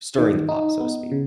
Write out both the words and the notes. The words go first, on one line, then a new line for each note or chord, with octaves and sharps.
"Stirring the pot", so to speak
D#3
D#4
B3
C#3